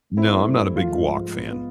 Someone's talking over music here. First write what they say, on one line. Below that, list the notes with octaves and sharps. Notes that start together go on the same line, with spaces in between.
No, I'm not a big guac fan.
C4 E4
A3
G2
A3
F3 F4
G#2
G#2
G#2
B3
B3